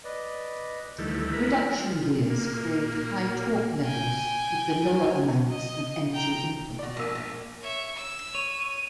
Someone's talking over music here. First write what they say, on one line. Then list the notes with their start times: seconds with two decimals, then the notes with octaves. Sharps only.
Reduction gears create high torque levels with the lower amounts of energy input.
0.04 B4 D5 D#5
0.98 D2 D#3 E3 G3 A3
1.33 E4 A#4 B4
1.69 F3
2.30 A#2 A#3
3.84 G5 G#5
5.49 D#5
6.13 G5 A#5
6.79 B2 D5
6.97 A#1 A#3 E6 D#7
7.15 A#1
7.29 A#3
7.62 C#5 E5
7.96 E6
8.35 C#5 D#7